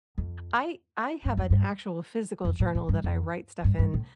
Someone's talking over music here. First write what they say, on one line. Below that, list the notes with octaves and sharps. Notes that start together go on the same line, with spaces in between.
I I have an actual physical journal that I write stuff in,
F2
G2
F2
G2
F2
A2
A2
G2
F2
G2
G2
A2